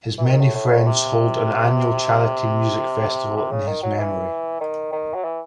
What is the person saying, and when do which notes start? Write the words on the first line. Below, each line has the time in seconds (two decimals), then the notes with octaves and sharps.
His many friends hold an annual charity music festival in his memory.
0.18 E3
0.25 D#3
0.40 A2
0.55 A2
0.70 A2
0.86 C3
3.37 C3
3.51 C#3
3.67 D#3
3.83 F#3
3.99 E3
4.61 D#3
4.92 D#3
5.14 F#3
5.24 E3